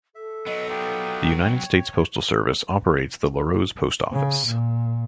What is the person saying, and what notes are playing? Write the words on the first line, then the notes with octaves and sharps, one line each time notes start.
The United States Postal Service operates the Larose Post Office.
A4 E5
F#3 B3 D#5
D#4 F4 G4 G5
C#5
C#3
A#2